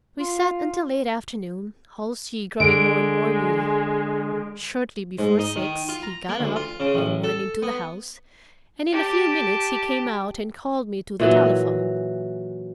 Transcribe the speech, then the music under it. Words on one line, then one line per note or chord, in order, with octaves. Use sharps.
We sat until late afternoon, Halsey growing more and more moody. Shortly before six, he got up and went into the house, and in a few minutes he came out and called me to the telephone.
F4
D3 G#3 D7
G#2
D#4
D#3
F4
A#5
A#3
D2
F4
C#3
A1
A4
B3
G4 A5
A#2 E3 F#3